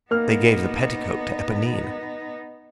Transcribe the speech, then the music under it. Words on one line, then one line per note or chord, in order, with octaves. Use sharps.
They gave the petticoat to Eponine.
A#3 B3 D#4 F6